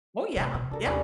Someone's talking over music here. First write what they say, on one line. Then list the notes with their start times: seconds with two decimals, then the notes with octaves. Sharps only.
Oh, yeah, yeah.
0.36 A2 C3
0.54 B2
0.71 C3 D4 A4 A#4
0.87 D#2 G3 C#4 D4 F4